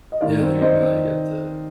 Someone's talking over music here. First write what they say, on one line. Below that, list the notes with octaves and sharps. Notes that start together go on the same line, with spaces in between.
Yeah, there you go. You got the,
D#5
D#3 D5 F5
C4
D5
C4 C5 D#5
C4